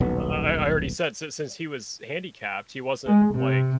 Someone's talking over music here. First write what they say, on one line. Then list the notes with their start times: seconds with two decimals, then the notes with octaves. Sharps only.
I I I already said since since he was handicapped, he wasn't, like,
0.01 D#1 B1 B3
3.05 G#3
3.34 C3